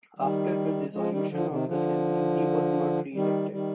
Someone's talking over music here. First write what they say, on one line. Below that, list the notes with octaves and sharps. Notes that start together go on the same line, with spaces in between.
After the dissolution of the assembly he was not re-elected.
D#3 G3
F3 G#3
D#3 G3
D3 F3
C3 D#3
D3 F3
D#3 G3
D#3 G3